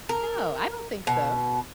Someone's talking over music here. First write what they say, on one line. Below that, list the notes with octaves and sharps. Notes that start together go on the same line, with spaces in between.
No, I don't think so.
A#4
B2